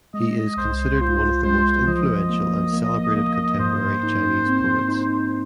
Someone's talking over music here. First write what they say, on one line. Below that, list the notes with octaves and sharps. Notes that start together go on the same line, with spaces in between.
He is considered one of the most influential and celebrated contemporary Chinese poets.
G#3 D#5
C2 C5
F4 C5
G#3 C5
F3 D#5
A#3
A#3
A#3
G#2 C5
D#4
C4
D#4